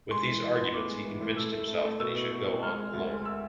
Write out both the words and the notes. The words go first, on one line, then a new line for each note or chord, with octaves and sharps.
With these arguments he convinced himself that he should go on alone.
G#3 C6
E3
E3
B3
A2 D6
G#3
E3
A2
A3 E6
A3
A3
A3
B2 E6
B2
B2
C4
G#3 F6
G#3
D2
G#3
E6